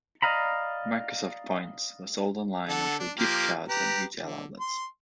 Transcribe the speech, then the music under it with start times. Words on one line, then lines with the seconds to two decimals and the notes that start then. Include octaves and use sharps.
Microsoft Points were sold online and through gift cards at retail outlets.
0.22 D5 D#5 F5 A#5 B5
2.68 D3 A4 F#5
3.00 D4
3.18 F3 A#3 G4
3.69 G4 B4 A#5
4.21 D3
4.60 C6